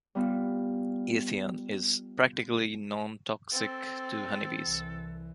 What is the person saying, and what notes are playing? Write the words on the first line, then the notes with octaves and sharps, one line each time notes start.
Ethion is practically nontoxic to honeybees.
G3 B3 F4
C4 A4
C2 E3